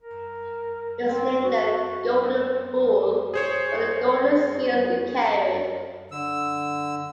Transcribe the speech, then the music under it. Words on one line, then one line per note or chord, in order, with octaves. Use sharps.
It was named the "Golden Bull" for the golden seal it carried.
A#4
C4
F#4
C4
G#4 C5 C#5
D3 E6